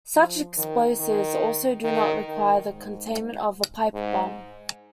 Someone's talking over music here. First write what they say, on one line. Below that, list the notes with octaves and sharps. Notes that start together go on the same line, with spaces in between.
Such explosives also do not require the containment of a pipe bomb.
F3
D#3
D#3
D#3
D#3
G#2
G#2